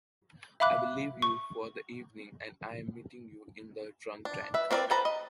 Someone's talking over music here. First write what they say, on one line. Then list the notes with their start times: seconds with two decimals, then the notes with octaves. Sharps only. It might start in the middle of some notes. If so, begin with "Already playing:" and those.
I’ll leave you for the evening and I’m meeting you in the drunk tank!
0.60 E5 F5 B5 D6 F#6
1.22 C#6
4.25 D4
4.54 B4 E5
4.71 C4 D4 A#4 B4 D5
4.91 A4 B4 C5 A#5 B5
5.05 D#5